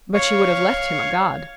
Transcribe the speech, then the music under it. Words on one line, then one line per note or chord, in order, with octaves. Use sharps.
But she would have left him a god.
C#5 F5 C#6